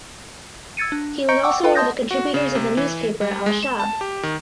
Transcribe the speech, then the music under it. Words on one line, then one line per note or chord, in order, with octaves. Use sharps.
He was also one of the contributors of the newspaper "Al Shaab".
E6 G#6 A6 C#7 D#7
D4
D#5 A#5 C#6 G6 C#7 D7
F#5 G5 C#6 D6 E6
F4 A4 B4 F5 G5
D#5 A5 C6 D#6 G6 A#6
F#4
C#3
C3
E3
G3
G#3
E7
A5
G4
D#3